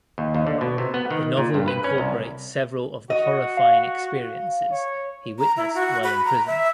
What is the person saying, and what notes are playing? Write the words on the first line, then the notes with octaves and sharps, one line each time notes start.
The novel incorporates several of the horrifying experiences he witnessed while in prison.
D#2
D#2
D3
B2
C3
B3
D#3
A#2
G2
B4
C#4
C2
F#4 D#5
F5
C#5
A#5
E4
F#4
B5
A#5
E5